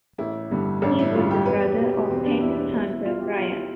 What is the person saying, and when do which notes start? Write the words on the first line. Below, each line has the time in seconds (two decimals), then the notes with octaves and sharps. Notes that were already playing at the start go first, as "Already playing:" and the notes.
He was a brother of Henry Hunter Bryan.
0.18 A1 E4
0.51 G2 D3
0.82 A1 D4
0.99 E4
1.14 G2 D3 F4
1.31 G4
1.46 E1 B4
1.62 G4
1.78 E2 B2 G4
1.93 G4
2.09 E1 C4
2.26 D4
2.41 E2 B2 E4
2.58 D4
2.73 B1 E4
2.89 E4
3.05 B2 F4
3.21 G4
3.36 B1 F4
3.53 E4